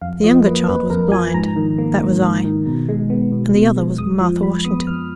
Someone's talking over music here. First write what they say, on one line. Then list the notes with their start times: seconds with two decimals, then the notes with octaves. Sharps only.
The younger child was blind--that was I--and the other was Martha Washington.
0.01 F2 F5
0.24 F3 D#5
0.46 A#3 B4
0.68 F2 B4
0.90 F2 A#4
1.11 F3 G#5
1.34 G#2 A#5
1.56 D#3
1.78 A#3
2.00 G#2
2.22 G#2
2.44 D#3
2.66 B2
2.89 G#3
3.10 B3
3.32 B2
3.54 B2
3.76 G#3
3.98 F2 D#6
4.21 F3
4.43 G#3 B5
4.65 B3 D#6
4.87 F2 F6